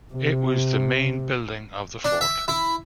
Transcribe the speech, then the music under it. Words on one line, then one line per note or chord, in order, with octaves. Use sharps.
It was the main building of the fort.
C3
D4
E5
E4